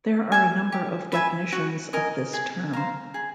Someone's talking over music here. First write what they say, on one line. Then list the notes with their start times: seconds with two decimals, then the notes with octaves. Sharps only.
There are a number of definitions of this term.
0.32 E5 G#5
0.72 G4
1.12 B4 E5 G#5
1.52 F#4
1.93 A#4 D#5 G#5
2.33 G#4
2.73 C5 F5 A#5
3.14 G#4